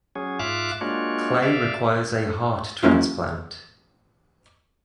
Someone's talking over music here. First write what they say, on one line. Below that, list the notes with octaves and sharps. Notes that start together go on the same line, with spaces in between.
Clay requires a heart transplant.
F#3 C#4 G#4
G#2 F4 E5 F5 D6 F#6
G#3 A#3 D4 F4 F#4 C#5
D5 E5 F5
F#3 A#3 C#4 E4 F4